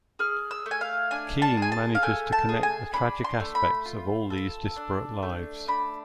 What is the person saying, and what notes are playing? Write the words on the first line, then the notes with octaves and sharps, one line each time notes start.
Keen manages to connect the tragic aspects of all these disparate lives.
G#4 F6
E6
A3
G#5
F5
D4 G#5
A5
G#4
G#5
A5
F5
A3 G#5
A5
G#4
G#5
D4 B5
C6
A3
B5
F4
A4
D4
A3
D4 B5